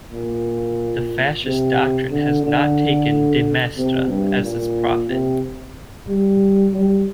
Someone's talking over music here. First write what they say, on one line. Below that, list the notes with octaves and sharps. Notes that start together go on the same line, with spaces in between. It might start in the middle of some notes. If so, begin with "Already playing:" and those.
The fascist doctrine has not taken De Maistre as its prophet.
A#2
C3
D3
D3
C3
G2
A#2
C3
G3
G3